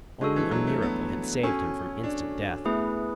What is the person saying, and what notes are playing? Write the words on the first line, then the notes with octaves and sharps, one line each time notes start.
Only a miracle had saved him from instant death.
G#3 D4 F#4 A4
E3
F#3
A3
B3
C#4 F#4 A4 C#5 G#5
D4
A3 B3 E4 G#4 B4